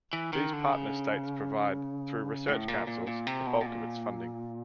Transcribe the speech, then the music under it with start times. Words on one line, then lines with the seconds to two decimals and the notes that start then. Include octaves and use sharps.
These partner states provide, through Research Councils, the bulk of its funding.
0.13 E3
0.33 D#3
0.53 D3
0.72 C#3
2.48 A2
2.68 A#2
2.87 A#2
3.07 A#2
3.27 C3
3.47 B2
3.61 B2
3.66 A#2